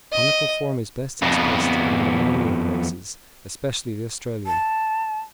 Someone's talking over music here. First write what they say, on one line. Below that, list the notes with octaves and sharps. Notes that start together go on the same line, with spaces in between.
The conical form is best expressed in the Melanian races, especially the Australian.
D#5
F2 B3
A5